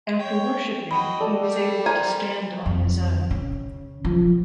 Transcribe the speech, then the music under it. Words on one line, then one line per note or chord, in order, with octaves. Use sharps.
After worshiping, he was able to stand on his own.
C#5 G5
F#4 D#5 G5 B5
A4 D5
G3
A#4 C5 G#5
F2
C#3
F3